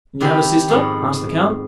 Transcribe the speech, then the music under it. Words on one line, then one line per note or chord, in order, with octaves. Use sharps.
"You have a sister?" asked the count.
D#3 C4 G4 B4 C6
F2 G#2 B3